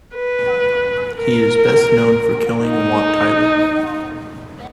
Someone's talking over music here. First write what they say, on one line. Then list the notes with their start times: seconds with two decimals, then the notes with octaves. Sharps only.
He is best known for killing Wat Tyler.
0.16 B4
1.16 A#4
2.65 D#4